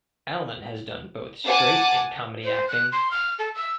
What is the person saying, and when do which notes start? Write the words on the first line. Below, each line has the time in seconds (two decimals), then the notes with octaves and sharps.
Allen has done both straight and comedy acting.
1.45 F#5 G#5 A5 D6
2.44 C5
2.68 F#6
2.92 C6
3.11 F6
3.39 A4
3.55 E6